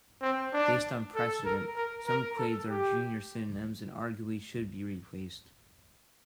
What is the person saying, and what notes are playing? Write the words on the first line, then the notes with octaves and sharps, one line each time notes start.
Based on precedent, some clades are junior synonyms and arguably should be replaced.
C4
D4
A4
A#4
A#4
A#4
A4
G4